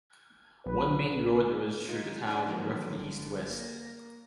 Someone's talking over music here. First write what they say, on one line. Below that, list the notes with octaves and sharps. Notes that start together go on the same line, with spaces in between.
One main road runs through the town, roughly east-west.
B1 B4
G#3 D#4 F4
C#4 D4 E4 D5
D3 D#3 F3 F#3 A#3 B3
G1 D3
A#3 A#6